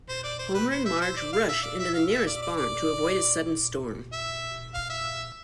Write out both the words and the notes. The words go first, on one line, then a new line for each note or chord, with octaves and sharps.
Homer and Marge rush into the nearest barn to avoid a sudden storm.
C5
D5
C5
B4
C5
E5
C5
D5
F5
E5
D5
E5
F5
E5
D5
D5
D5
E5
F5
E5